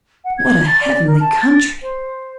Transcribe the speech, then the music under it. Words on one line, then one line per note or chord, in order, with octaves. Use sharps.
What a heavenly country!
F#5
G#6
A6
D5
A#4
A5
A6
C5